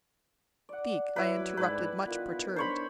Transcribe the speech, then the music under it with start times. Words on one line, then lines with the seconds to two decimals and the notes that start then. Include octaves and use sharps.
"Speak," I interrupted, much perturbed.
0.69 D5 F#5
1.16 F#3 E4 B4
1.57 G#2 D3 G3 E4 B4
2.06 D#3 B3 F4
2.56 D4 C5 C#5 B5